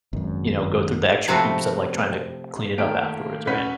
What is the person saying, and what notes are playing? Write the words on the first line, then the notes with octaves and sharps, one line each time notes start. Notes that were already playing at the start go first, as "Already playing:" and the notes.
you know, go through the extra hoops of, like, trying to clean it up afterwards, right?
G#1 F#2
C3 F3 A3 C4 F#4 B4
D#3 A3 A#3 G4 D7
E1 C#4 B4 F#5 G6 B6